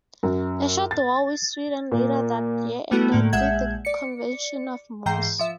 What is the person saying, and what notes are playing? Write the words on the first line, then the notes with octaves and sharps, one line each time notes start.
A short war with Sweden later that year ended with the Convention of Moss.
F#2
A6
A#2
G3 A3 B3 E4 F#4 A4
A2 D3 A3 A#3
A#1 G#3 E5 F#5 G6 G#6
D5 C#7
G#2 E3 G5 A#5 G6 C7
F3 E5